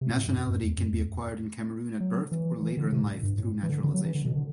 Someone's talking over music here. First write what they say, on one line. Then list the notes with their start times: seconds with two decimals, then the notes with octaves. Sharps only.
Nationality can be acquired in Cameroon at birth or later in life through naturalization.
0.01 C3
0.09 B2
0.17 A2
0.27 G2
0.37 F#2
0.48 F#2
0.63 E2
0.78 F#2
0.93 E2
2.00 F#3
2.32 E3
2.63 E3
2.77 D3
2.93 C3
3.03 A2
3.23 G2
3.38 A2
3.63 E3
3.69 D3
3.84 D3
3.94 F#3
4.05 E3
4.15 D3
4.25 B2
4.35 D3